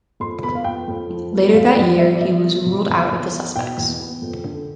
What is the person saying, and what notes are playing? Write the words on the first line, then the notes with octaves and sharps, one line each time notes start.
Later that year, he was ruled out of the suspects.
F2 C6
B3 B5
F5
F2 G5
F2
F3
B3
E2 F5
E2 D5
G3 E5
D5
G3 E5
B3
C3
E2
E2
B3
B2 G5
E2
B3
F2
D3